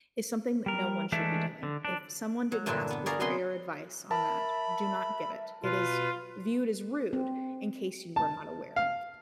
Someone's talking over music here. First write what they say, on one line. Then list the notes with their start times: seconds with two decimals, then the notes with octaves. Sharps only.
is something no one should be doing. If someone didn't ask you for your advice on that, do not give it. It is viewed as rude in case you were not aware."
0.66 G3 A#4
1.12 E3 G#3 A3 D4 E5
1.63 D3
1.85 D4
2.52 F#3
2.66 G2 A#2 D3 E3 D4
2.90 B3
3.06 F#4 G#4 A#4 D5 F5 F#5
3.20 C3 B3 G#4 C6
4.11 A#4 E5 A5 B5
5.63 B2 F4 B4
7.13 C4
8.16 A5
8.76 F5